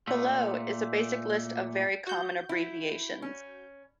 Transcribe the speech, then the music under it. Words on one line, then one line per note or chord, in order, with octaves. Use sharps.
Below is a basic list of very common abbreviations.
A#2 A3
F#4 G6
E4
C#4